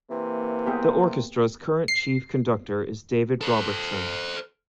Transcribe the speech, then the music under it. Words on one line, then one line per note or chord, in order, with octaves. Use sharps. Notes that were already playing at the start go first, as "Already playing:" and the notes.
The orchestra's current chief conductor is David Robertson.
C3 E3 A#3
B3 G4 G#4
C7
A4 C5